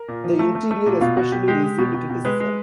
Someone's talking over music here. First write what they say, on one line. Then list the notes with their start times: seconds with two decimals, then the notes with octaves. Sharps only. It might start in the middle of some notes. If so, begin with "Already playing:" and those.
The interior, especially, received criticism.
Already playing: A#4
0.08 A#2
0.24 F3
0.39 A3
0.55 A3
0.71 A3
0.86 A#2
1.01 B2 F4
1.17 B2 F#4
1.32 B2 G4
1.48 G#3 G4
1.63 G#3
1.78 B2
1.94 B2
2.10 B2
2.25 G#3 B4
2.40 G#3